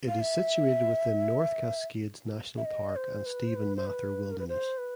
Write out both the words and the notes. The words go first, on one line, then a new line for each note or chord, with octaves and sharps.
It is situated within North Cascades National Park and Stephen Mather Wilderness.
F5
E5
E5
D#5
C5
B4
C5
B4
C5
B4
A#4
B4
C5
B4